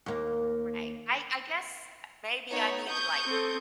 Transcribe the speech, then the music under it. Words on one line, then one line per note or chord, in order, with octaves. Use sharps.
Right, I I guess maybe I need to, like,
D#2 A#3
B3 D#4 C#5
C#6 D#6 G6
C4 A4